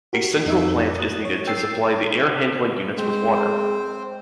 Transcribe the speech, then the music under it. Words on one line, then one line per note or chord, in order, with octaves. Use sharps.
A central plant is needed to supply the air-handling units with water.
F#4 G4 A#4
F2 D#4 E5
D#6 F#6
C#5
A#4 G5 E6 A6 C7
G#3 C4 C5